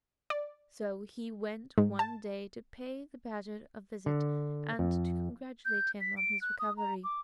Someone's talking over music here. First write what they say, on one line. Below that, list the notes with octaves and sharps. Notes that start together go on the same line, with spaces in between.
So he went one day to pay the badger a visit and to congratulate him on his recovery.
D5
G#2
A5
D3
F2
G6
B6
D7
F#6
D#6
A#5
D6